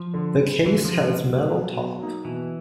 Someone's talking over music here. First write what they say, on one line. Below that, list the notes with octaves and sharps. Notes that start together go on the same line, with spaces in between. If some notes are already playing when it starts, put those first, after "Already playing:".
The case has metal top.
Already playing: F3
D3
G3 C4
D3 E3
F3
G3 C4
F3
D3 F#3
G3 C4
B2
F#3 A#3 D#4
B2 E3